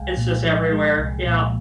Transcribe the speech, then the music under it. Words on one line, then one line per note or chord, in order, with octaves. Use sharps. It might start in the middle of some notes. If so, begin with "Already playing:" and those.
It's just everywhere, yeah.
Already playing: C2 G#3 F5 G5 G#5
A#2
F3
G#3
C2
A#2